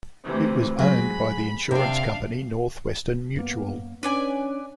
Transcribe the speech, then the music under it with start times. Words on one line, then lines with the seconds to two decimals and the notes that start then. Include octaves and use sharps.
It was owned by the insurance company Northwestern Mutual.
0.24 D2 C3 E3
0.79 F#3 G#3 B5
1.71 C3 D4 F5 G5
3.36 F#2 A#3 B3
4.03 C#4 D4 B4 D5 G#5